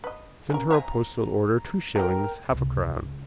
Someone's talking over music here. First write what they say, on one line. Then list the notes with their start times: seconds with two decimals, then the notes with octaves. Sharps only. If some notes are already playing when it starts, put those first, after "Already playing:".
Send her a postal order two shillings, half a crown.
0.04 B4 D#5
0.50 C#4 F#4 A#4
0.70 C5 E5 G#5 A#5
1.96 E3 A3 A#4 G5 A#5
2.50 C#2 C3
3.01 C#2